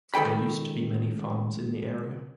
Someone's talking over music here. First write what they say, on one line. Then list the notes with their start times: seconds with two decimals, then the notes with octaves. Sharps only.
There used to be many farms in the area.
0.14 C#2 D#3 A4 G5 B5